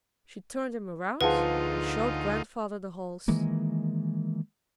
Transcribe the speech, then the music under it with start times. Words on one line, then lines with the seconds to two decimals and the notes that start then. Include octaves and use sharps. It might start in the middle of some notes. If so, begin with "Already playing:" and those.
She turned him around and showed Grandfather the holes.
1.21 D2 F3 D#4 F4 G#4 B4 F#5
3.28 D#3 E3 G#3 A#3